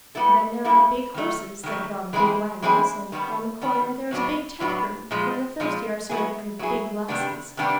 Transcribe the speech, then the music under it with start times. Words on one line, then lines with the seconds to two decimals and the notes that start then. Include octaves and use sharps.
Then there are big horses that draw the big wagons, and on the corner there is a big taproom where the thirsty are served with big glasses.
0.15 G3 B3 E4 A4
0.64 G3 B3 E4 A4
1.14 D#3 F#3 A3
1.63 D#3 F#3 A3
2.13 E3 G#3 C4 E4 G#4
2.62 E3 G#3 C4 E4 G#4
3.12 D#3 G3 B3
3.61 D#3 G3 B3
4.11 A2 F#3 B3 D4
4.60 A2 F#3 B3 D4
5.11 A#2 F3 G#3
5.60 A#2 F3 G#3
6.09 F#3 B3 E4 G#4
6.59 F#3 B3 E4 G#4
7.08 C3 D#3 G3 B3 D4
7.57 C3 D#3 G3 B3 D4